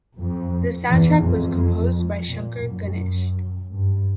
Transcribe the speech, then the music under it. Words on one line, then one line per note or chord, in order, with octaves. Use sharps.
The soundtrack was composed by Shankar–Ganesh.
F2
E2
F2
A#2
F#2
G2